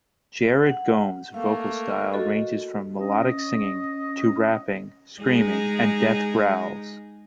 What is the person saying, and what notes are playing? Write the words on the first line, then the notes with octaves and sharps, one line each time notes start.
Jared Gomes' vocal style ranges from melodic singing to rapping, screaming, and death growls.
F#5
A3 A#3 F5
F#4 A4 D#5
C#4 D#5
G#3 D#4 G#4